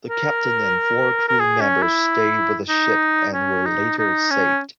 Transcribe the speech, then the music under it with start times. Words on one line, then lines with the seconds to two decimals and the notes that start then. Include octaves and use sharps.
The captain and four crew members stayed with the ship and were later saved.
0.09 A#4
1.28 A#4
1.40 G#4
1.61 C#4
1.82 E4
2.69 D#4
3.34 C#4
3.65 D#4
3.98 D#4
4.30 C#4